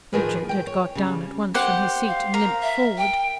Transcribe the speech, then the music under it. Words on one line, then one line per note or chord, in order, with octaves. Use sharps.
Ughtred had got down at once from his seat and limped forward.
A2 D#3 F3 G#4 A#4 B4
G5
C#5
C#3 G3
G4 C5 F#5
F5
A#4
E5
G5